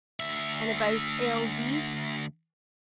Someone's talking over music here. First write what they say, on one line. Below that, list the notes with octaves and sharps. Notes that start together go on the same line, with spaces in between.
"And about L. D.?"
D2 E5